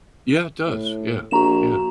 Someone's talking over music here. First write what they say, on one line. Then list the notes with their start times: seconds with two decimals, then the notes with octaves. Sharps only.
Yeah, it does, yeah, yeah,
0.67 A2
1.31 A#1 F#4 A#5 E7